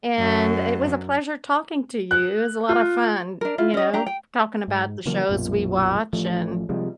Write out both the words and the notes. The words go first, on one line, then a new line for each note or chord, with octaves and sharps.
and it was a pleasure talking to you. It's a lot of fun, you know, talking about the shows we watch and
F#2
F#6
F4
D4 A#4
E4 F4
C#4 D#5
D4 G4 A#5
G5
G#2
C#3 E3 F#3 A#3
B1 F#2 A#2
A1 F3 A3
C3 F3 G3 G#3